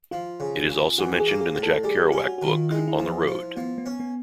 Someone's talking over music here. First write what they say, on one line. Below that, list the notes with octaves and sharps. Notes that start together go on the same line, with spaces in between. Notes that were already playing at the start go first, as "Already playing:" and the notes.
It is also mentioned in the Jack Kerouac book "On the Road".
F3 F4
C#3
C#3
E3 F#4
G#4
A#3
G#4
A2
A4
G3 G#4
G4
C#4
F#4
D#3 F#4
F4
G#3 E4
D#4
E4
F3
F3
F3 B3
B3
C#4
B3